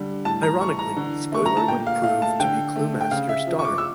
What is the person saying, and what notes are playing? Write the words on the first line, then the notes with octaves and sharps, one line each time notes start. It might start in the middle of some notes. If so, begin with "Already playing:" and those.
Ironically, Spoiler would prove to be Cluemaster's daughter.
Already playing: D3 G3
A2 A5
A#5
E3 C#6
A#5
D3
A3 C#6
A#5
A5
A#2 G5
F5
A3 F5
A5
D3 G5
A3
G5
C#3 F5
E5
F3
C#6
D6
E6